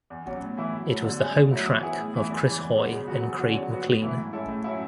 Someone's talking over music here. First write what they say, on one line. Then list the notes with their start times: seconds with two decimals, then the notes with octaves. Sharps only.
It was the home track of Chris Hoy and Craig MacLean.
0.10 E2
0.26 B2 F#3 C#4
0.42 A2
0.57 E3 A3 E4
0.73 B2
0.89 F#3 A3
1.04 D3
1.20 G#3 C#4 G#4
1.36 B2
1.51 F#3 A3 E4
1.67 E3
1.83 B3 E4 G#4
1.98 A2
2.14 E3 A3 E4 G#4
2.30 E2
2.45 C#3 E3 G#3
2.61 E2
2.77 B2 G#3 B3
2.92 C#3
3.08 F#3 B3 F#4
3.24 E2
3.39 D3 G#3 C#4 F#4
3.55 F#3
3.71 B3 F#4
3.86 A2
4.02 E3 A3 E4
4.18 G#2
4.33 G#3 C#4 E4 A4
4.48 A2
4.64 F#3 C#4 E4